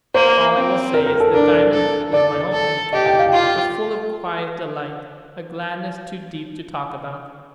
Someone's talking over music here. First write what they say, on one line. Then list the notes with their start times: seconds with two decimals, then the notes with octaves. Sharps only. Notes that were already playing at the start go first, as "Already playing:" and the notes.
All I will say is, that Diamond, who is my only care, was full of quiet delight--a gladness too deep to talk about.
0.14 A#3 C5
0.54 C4
0.94 A#4
1.06 A#4
1.20 A4
1.34 D4 A#4
1.73 A4
2.13 A4 D5
2.53 A4
2.92 G4 D#5
3.06 G5
3.19 F5
3.32 F4